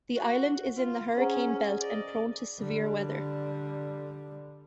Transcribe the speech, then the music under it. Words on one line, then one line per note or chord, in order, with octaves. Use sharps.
The island is in the hurricane belt and prone to severe weather.
F#4
F4
C#4 G#4 C5 F#5 A#5
D5 D#5
D3 G3